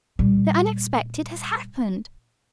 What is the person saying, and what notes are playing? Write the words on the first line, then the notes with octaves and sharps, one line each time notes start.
"The unexpected has happened!"
A#2 G3